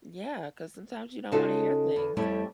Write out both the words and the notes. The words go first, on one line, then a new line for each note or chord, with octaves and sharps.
Yeah, 'cause sometimes you don't wanna hear things.
C#3 C#4 D#4 F4 F#4 A4
E2
F2 G3 A3 E4 G4 C#5